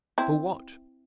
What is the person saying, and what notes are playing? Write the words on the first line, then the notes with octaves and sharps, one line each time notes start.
For what?
C4 E4